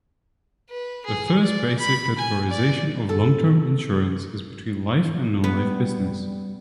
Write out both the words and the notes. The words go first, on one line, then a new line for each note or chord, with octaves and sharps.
The first basic categorisation of long-term insurance is between life and non-life business.
B4
G#4
D5
B5
G#5
D5
A4
G3 B3